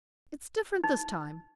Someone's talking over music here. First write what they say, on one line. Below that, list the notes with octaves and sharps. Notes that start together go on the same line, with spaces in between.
It's different this time.
D#4